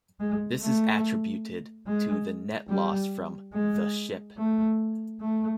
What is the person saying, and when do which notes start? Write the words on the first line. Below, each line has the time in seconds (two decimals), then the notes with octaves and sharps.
This is attributed to the net loss from "The Ship".
0.20 G#3
0.62 A3
1.87 G#3
2.70 G3
3.53 G#3
4.37 A3
5.21 A3